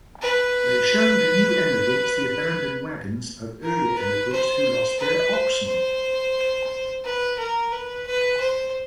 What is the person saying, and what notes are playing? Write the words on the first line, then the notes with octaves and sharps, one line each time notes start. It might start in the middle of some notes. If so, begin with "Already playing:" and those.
They showed new emigrants the abandoned wagons of earlier emigrants who lost their oxen.
B4
A#4
B4
C5
B4
C5
C5
B4
A#4
B4
B4
C5